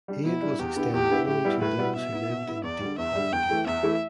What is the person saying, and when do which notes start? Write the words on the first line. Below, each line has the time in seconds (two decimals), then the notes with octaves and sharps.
Aid was extended only to those who lived in deep poverty.
0.08 G3 D4
0.25 B2 E4
0.42 G3 D4
0.59 E2 G4
0.76 D3 B3 E4
0.94 E2 G4
1.10 D3 B3 E4
1.27 A2 G4
1.45 G3 B3 E4
1.61 A2 B4
1.78 G3 B3 E4
1.96 B2 E5
2.13 B3 E4
2.30 B2
2.47 B3 E4
2.64 E2 D5
2.81 D3 G3
2.98 E2 E5
3.15 D3 G3
3.32 E2 G5
3.49 E3 A3 E4
3.66 E2 E5
3.83 E3 A3 E4